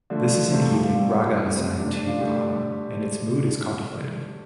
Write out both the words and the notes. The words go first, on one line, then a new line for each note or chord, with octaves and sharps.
This is an evening raga assigned to autumn and its mood is contemplative.
D3 F3 A3
C3 F3 A3 C5
A4
G4
F4
C3 G3
A4
C3 A3 G4
C4
C3 F3 A3 D4
D4
F4
D3 A3 G4